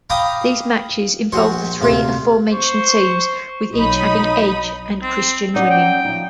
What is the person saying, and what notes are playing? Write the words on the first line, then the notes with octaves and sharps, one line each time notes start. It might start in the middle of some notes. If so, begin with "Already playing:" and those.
These matches involved the three aforementioned teams, with each having Edge and Christian winning.
F5 G5 A#5 B5 D6 D#6
A#1 F#4 C5 C#6
D2 C3 F4
C5 C#6
B1 F#3 D#4 B5 D#6
C4
F#3 C#4 D#4 D5
G5
F3 D#4